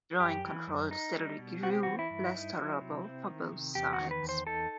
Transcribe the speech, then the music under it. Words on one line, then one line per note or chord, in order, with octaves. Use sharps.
Joint control steadily grew less tolerable for both sides.
F#2 G4
E3
F#2
D#4
G3
B2
C4 F#4
G4
E3 F#4
E4
G2
D#4
F#3
C3
C4
D#3
C3
E2 G4
F#4
D#3
B4
E2
C5
D#4 A4